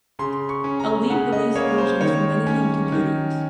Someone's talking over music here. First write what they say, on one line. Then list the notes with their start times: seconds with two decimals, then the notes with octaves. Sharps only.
Elite released versions for many home computers.
0.19 C#3 C6
0.49 C#6
0.64 C#4
0.80 A#5
1.10 C#3 F#5
1.33 D#5
1.55 A#3 C#5
1.78 C5
2.01 D#3 C#5
2.47 C#4
2.92 D#3